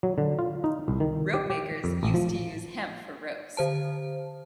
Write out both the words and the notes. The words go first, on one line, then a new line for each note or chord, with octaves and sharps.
Ropemakers used to use hemp for ropes.
F#3
D3
F4
D#4
C2
D#3
G4
G4
F2
A1
F3
D3 C5 A5